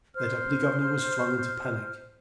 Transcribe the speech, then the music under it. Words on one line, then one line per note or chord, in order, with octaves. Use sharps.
The Deputy-Governor was flung into panic.
C5 F6